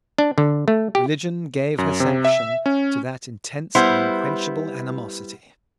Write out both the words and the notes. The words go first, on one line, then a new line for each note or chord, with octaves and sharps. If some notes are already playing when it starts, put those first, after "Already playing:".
Religion gave her sanction to that intense and unquenchable animosity.
D4
D3
A3
G4
F#2
C3
E5
C#4
G3 B3 E4 C5